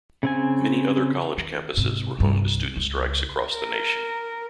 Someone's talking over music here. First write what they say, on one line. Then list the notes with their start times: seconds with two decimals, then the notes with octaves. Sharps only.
Many other college campuses were home to student strikes across the nation.
0.23 C#3 C4 G#5
1.38 D#3
1.77 G#2 C3
2.18 C2 G2
2.77 C#2
3.57 A#4